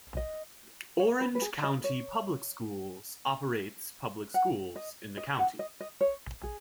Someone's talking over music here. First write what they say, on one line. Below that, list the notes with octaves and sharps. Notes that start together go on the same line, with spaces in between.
Orange County Public Schools operates public schools in the county.
D#5
C#5
B4
B4
G#4
D#5
C#5
F#5
D#5
D#5
F#5
D#5
D#5
C#5
G#4